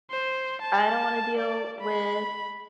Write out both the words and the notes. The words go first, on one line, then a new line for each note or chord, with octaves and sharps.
I don't wanna deal with,
C5
A5
D5
B5